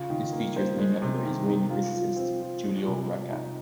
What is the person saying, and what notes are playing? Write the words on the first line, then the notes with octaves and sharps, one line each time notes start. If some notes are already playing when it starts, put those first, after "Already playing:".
This feature is named after the Israeli physicist Giulio Racah.
Already playing: C#3 F4
D#3
A#3
C5
G#3
C3
D#3
D#4
F4
F3
C4
F3
G#3
C3
F3
D#4